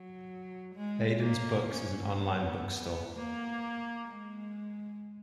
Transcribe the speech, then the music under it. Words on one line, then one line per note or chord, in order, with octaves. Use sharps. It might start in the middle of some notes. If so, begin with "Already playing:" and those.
Hayden's Books is an online bookstore.
Already playing: F#3
G#3
A#3
C#4
B3
A#3
G#3